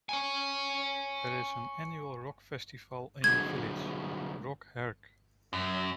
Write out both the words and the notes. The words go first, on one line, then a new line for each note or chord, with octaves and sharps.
There is an annual rock festival in the village, Rock Herk.
C#5 G#5
D3 F#3 G#3 G#6
F#2